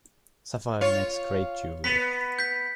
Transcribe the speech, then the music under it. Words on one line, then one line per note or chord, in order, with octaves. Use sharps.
Sapphire makes great jewellery.
F4 C#5
B3 B6
G6 B6